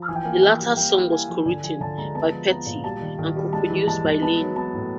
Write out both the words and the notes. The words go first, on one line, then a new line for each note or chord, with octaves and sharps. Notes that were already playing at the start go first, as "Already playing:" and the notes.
The latter song was co-written by Petty and co-produced by Lynne.
Already playing: F3
E3 G#5
G5
A#3 G#5
A#3 G5
G3
A#3 G5
E4
E4 G#5
F3
D3 G#5
F3 G#5
D3 A5
G#3 A#5
B3 A5
F3
B3 A#5
A#2
G3 A5
D#3
D#3
G3
G#3 A5
E3
G#3 A5
G#3
B3 A5
F#3
B3 A5
A2